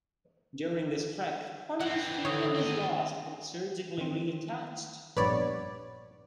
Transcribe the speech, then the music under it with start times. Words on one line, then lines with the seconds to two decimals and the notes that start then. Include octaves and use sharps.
During this trek, part of his finger was lost but surgically reattached.
1.80 E3 C4 F#5
2.25 D3 D#3 C#5 D#6
2.55 C4 D#5
3.98 D#3 C4
5.17 A#1 G2 B3 B4 C#5 D5